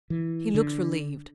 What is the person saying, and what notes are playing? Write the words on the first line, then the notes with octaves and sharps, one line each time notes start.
He looked relieved.
E3
D3